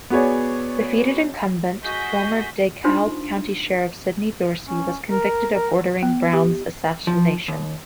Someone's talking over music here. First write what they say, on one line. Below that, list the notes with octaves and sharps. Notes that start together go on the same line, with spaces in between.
Defeated incumbent, former DeKalb County Sheriff Sidney Dorsey, was convicted of ordering Brown's assassination.
B3 F#4 G#4 C#5 D5
F#4 G#4 D#5 G6 B6
D4 D#4 F4 C5 C6
C#4
A#4
A#4
B3
G4
F3
D#2